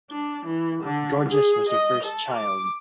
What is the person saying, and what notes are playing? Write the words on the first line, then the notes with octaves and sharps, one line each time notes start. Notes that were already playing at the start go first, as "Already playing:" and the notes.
Georges was their first child.
D4
E3
D3
G#4
D#5
A4
D6